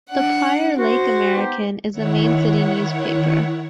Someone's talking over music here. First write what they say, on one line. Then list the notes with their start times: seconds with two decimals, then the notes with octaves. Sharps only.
The "Prior Lake American" is the main city newspaper.
0.10 D4 F#5
0.78 F#4 C5
1.34 B3 D#4 G4
1.92 D#3 E4 C#5 F#5